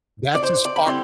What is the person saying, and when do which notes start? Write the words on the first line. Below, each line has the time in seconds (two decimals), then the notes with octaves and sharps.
That's as far
0.35 D5
0.43 C5
0.65 D5
0.76 B5
0.86 D3 G3 C4 E4 C6